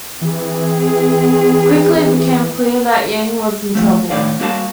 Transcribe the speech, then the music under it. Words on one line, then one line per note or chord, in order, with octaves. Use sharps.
Quickly, it became clear that Yang was in trouble.
E3 C4 G#4
F3 A3
C#2 A2 D#3 D5 F5
G3 A#3 F#4 F5 A5